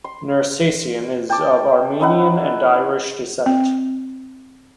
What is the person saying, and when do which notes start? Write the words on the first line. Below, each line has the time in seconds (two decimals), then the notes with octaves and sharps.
Nersesian is of Armenian and Irish descent.
0.04 C6
1.30 G5 A5 D6
2.00 C#4 D#4 E4 F#5
3.46 C4